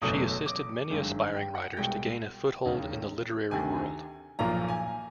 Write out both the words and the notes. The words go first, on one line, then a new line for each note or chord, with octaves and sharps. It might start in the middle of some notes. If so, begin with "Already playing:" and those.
She assisted many aspiring writers to gain a foothold in the literary world.
F#1 E2 B2 F#3 A3 D#6
D6
G1 F#2 D#3 G#3
G5
F#5
C2 B2 G#3 G5
E1 D#2 C#3
D2 C3 D#3 G#5
B1 A#2 F3 A#3 A#5
G#5